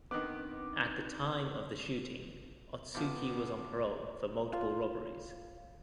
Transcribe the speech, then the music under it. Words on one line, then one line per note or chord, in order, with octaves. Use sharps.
At the time of the shooting Otsuki was on parole for multiple robberies.
D#3 B3 C4 D4 D#4 B4 D6 F#6
C3 F3 B3 D6
F4